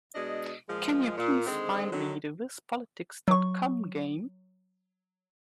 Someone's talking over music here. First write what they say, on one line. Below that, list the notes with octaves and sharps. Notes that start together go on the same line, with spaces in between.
Can you please find me the Wispolitics.com game?
B2 G#3 D4 D#5
A#2 F3 G#3
A#2
D3 D#3 G#3 C4
D3 D#3 F#3
F#3 C#6